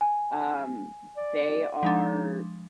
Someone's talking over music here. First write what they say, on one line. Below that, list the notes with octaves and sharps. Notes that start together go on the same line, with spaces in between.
um, they are
G#5
D5
F3 G#3 D4 D#4